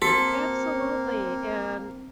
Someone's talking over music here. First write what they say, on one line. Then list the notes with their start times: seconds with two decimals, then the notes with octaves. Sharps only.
Absolutely, and
0.02 A#3 C4 F#4 A4